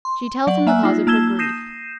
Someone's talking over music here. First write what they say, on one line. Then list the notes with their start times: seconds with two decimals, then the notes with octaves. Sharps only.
She tells him the cause of her grief.
0.05 C6
0.47 F#3 D5 F#5 F#7
0.67 A#3 E5 G#5 E6 F#6
0.83 D#4 F4
1.07 A#3 A5 E6 G#6 E7 G7
1.39 D#6 G6 A#6 C7 D#7 E7